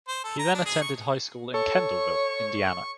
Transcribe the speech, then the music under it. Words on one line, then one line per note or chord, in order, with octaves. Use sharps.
He then attended high school in Kendallville, Indiana.
C5
A4
A#5
D4
G#4
C#6
A4 C#5 C#6